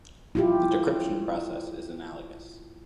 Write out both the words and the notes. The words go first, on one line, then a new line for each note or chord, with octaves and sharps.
The decryption process is analogous.
E4 F4 G4